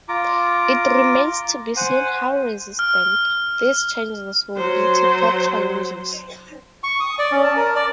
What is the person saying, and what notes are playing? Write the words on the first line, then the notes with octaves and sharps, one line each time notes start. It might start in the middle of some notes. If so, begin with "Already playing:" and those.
It remains to be seen how resistant these changes will be to court challenges.
F4 A#5 D6
C5 F#5 G#5
F6
F#3 C5
C#6
D#6
D5
C#4
A5
A#4
D5